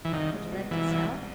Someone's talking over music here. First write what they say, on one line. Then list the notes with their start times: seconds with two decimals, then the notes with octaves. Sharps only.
"Would you like to sell?"
0.05 E3
0.13 C2 D#3
0.32 G#3
0.52 B2
0.71 C2 E3
0.91 C2